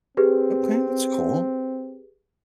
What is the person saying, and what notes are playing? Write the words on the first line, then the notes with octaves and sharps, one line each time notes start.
Okay, that's cool.
C4 G4 G#4 B4